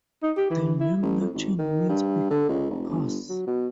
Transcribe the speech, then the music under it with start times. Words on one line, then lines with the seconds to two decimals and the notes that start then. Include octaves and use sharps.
The name "Lachen" means "big pass".
0.23 D#4
0.37 G4
0.50 E3
0.80 E4
1.03 A1
1.21 F2
1.35 G#1
1.59 D#3
1.89 G2
2.30 D3
2.49 C#2
2.71 F1
2.89 G1
3.29 F#3
3.47 B2